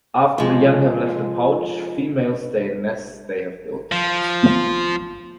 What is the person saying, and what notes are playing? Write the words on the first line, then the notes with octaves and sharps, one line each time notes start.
After the young have left the pouch, females stay in nests they have built.
F3 G#3
F3